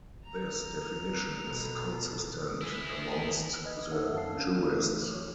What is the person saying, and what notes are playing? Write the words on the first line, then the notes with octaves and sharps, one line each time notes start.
This definition is consistent amongst the jurists.
A#5
B2 A4
E4 G#4
B4 D#5 G#6
D#4 A4 C#5 E5 F#5
F#2 F5 A5 C7
C#4 D4 F5
E3 A3 D#4
C#5